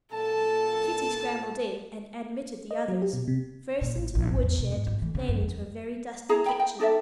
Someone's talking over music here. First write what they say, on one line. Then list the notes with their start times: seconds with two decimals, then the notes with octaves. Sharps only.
Kitty scrambled in, and admitted the others, first into the wood-shed and then into a very dusty kitchen.
0.13 A#2 A4 A5
2.71 D#5
2.88 F#3
3.02 G4
3.13 B2
3.28 C3
3.81 A#2
3.95 A1
4.15 A#1
4.28 G#1
4.43 E2
4.59 B2
4.72 G#2
4.87 G2
5.02 E3
5.15 C#3
5.29 F#2
5.42 F2
6.29 E4 G#4 A#5
6.46 G5 B5
6.60 G5
6.80 D#4 A4 D5 E5